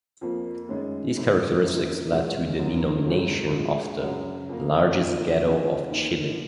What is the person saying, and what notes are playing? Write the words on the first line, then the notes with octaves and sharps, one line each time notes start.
These characteristics led to the denomination of the "largest ghetto of Chile".
F2 F3 A#3
F#2 D#3 G#3 C#4
G#1 F#2 D#3
F#2 F3 A#3
B1 A#2 G#3 B3 F#4
F#2 D#3 F#3 A#3
G#1 F#2 C#3 F#3
A#1 A#2 G#3
F#2 C#3 F#3 C#4 F#4
F2 F3 A#3
A#1 G#2 F3 A#3
C#3 F3 B3 D#4 F#4
D#2 D#3 A#3